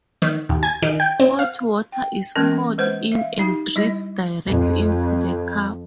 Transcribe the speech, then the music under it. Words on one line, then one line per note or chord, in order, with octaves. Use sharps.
Hot water is poured in and drips directly into the cup.
D#3
D#2
G#5
D#3
G5
C4
F5
G5
E3 G#3 A#3 B3 C#4 A#4
G#3 B4 C5 F#5
E5 F5
D#4 G4
G3 E4 D#5
F2